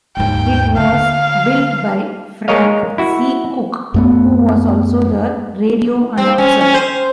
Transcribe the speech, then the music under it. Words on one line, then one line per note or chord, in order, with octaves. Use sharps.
It was built by Frank C. Cook, who was also the radio announcer.
D#2 G#2 G5
D3 F5
G#3 A#4 C#5 D#5 F5
E4 F#4
F#2 A3 B3
C4
C#4
C#4
C5